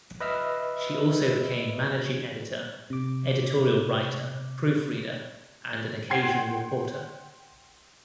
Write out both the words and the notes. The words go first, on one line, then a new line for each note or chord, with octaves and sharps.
She also became managing editor, editorial writer, proof reader and an occasional reporter.
B4 D#5 E5 E6 F6
C3 D6
F#5 G5 C6 G#6 C7